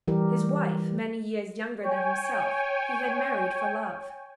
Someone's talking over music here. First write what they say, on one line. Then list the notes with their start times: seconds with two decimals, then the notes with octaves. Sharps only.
His wife, many years younger than himself, he had married for love.
0.08 E3 G3 G4 A#4
1.82 C#5 G5 G#5